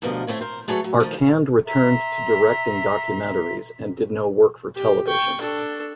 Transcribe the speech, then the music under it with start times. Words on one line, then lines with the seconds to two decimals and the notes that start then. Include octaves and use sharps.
Arcand returned to directing documentaries and did no work for television.
0.02 D2 G2 B2 D3 F3 A#4
0.27 A3 C4 E4 C#5
0.41 A#4 C5
0.68 F#3 A3 G#4 A4 B4 C#5
0.84 F#3
1.00 D#3 F3
1.66 E5 A#5 C6
4.75 G4
5.08 G5 C#6
5.41 D4 A4